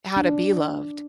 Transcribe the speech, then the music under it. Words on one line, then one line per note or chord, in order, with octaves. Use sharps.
How to be loved.
D4